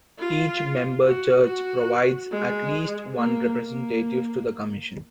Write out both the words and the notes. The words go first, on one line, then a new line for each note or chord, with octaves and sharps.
Each member church provides at least one representative to the Commission.
F4
F#4
F#4
G#3
A#3
A#3